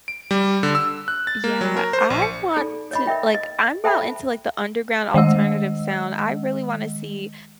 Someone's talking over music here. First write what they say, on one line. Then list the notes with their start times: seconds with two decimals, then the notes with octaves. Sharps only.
Yeah, I want to like, I'm now into, like, the underground alternative sound, I really wanna see,
0.08 D7
0.31 G3
0.63 D3
0.75 E6
1.08 F#6
1.27 A6
1.44 A#3
1.61 F#3
1.77 A#4
1.93 C5
2.10 A#1
2.22 C#7
2.57 D#4 A4 D5 B5
2.91 C#5 D#5 B5
3.07 A#4 D#5 E5 G5
3.35 D#5
3.84 A4 C5 E5 G5 A5 B5
5.14 D#3 G#3 D#5 F#5 E6